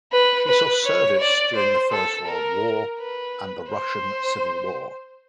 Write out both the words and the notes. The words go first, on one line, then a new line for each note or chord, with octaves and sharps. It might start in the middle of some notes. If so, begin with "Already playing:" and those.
She saw service during the First World War and the Russian Civil War.
B4
B4
C#5
D5
C5
A4
A#4
B4
C5